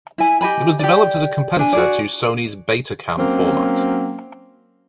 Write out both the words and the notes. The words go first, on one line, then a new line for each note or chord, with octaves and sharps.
It was developed as a competitor to Sony's Betacam format.
E4 G#5
G4 D#5 G#5 B5
G4 D5
D4 G#5
F#4 G#4 D5
F#3 A#3 C4 C#4